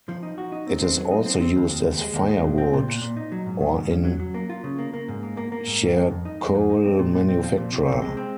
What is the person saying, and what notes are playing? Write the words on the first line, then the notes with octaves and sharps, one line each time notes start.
It is also used as firewood, or in charcoal manufacture.
F3
D#4
F#4
D#4
C4
C4
F#3
D#4
C4
C4
D#2
D#2
D#2
G#3
D#2
G#3
A#2
C4
A#2
A#2
A#2
D#4
F#3
G#2
D#3
G#2
C#4
F#3
F#3
A#3
F4
C#3
A#3
A#3
G#2
A#3
A#3
A#3
G#2
G#2
F2
F2
D#4
G#3
F2
D#4
C4
A#2
A#2
C4
F3
A#2
C3
C4
G#3
C4